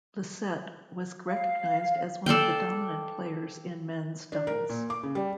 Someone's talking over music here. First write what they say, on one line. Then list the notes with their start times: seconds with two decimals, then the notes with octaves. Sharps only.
Lycett was recognised as one of the dominant players in men's doubles.
1.28 F5
2.26 A4 D5 F5 G5
4.32 D4
4.47 A#4
4.69 A#2
4.90 D6
5.03 C#3
5.15 G3